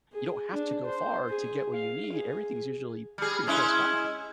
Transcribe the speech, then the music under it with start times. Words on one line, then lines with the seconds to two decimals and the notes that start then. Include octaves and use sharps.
you don't have to go far to get what you need. Everything's usually pretty close by.
0.13 G#4
0.53 D4
0.86 C5
1.29 G#4
1.74 F5
2.13 G#4
3.18 G3 G#4
3.47 G#3 C#4 E4